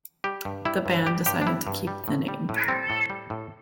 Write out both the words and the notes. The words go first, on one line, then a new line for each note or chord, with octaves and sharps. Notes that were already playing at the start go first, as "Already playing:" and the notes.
The band decided to keep the name.
G3 G4
G2
G3 E4
G2
G3 G4
G2 G4
D4
G3 E4
G2
G3
A2
G3
A2
G3 C4
A2
G3
A2